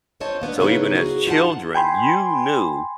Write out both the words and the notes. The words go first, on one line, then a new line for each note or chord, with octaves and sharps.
so even as children, you knew
C4 F4 C5 C#5 D#5 A5
A#3 B3 D4 B4
C#3 B3 D#4 E4 B4 C#5
F#4 G#4
D#4 F4 F5 F#5 A5
G5 G#5 B5 C6